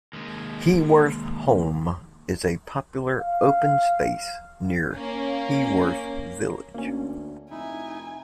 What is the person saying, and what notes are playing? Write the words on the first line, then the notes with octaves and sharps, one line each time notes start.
Heworth Holme is a popular open space near Heworth village.
D#2 G#3
F5
A#3 C#4
D2 A#3 C#4
F1 D#4 E4 G#5